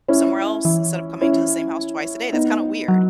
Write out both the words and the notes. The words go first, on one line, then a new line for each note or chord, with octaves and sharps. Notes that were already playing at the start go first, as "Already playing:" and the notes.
somewhere else instead of coming to the same house twice a day, that's kinda weird."
C#4 E4
E3
C#4 E4
B3 D#4
F#3